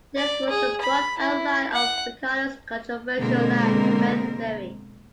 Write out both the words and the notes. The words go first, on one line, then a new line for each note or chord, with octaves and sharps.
This was the broad outline of Ricardo's controversial land rent theory.
D5
G#4
B5
E4
F#5
B2 D3 G#3 A#3 C4 A#4